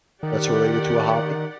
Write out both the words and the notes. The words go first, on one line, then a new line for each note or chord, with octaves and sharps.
that's related to a hobby?
D#3 G4 D5 F#5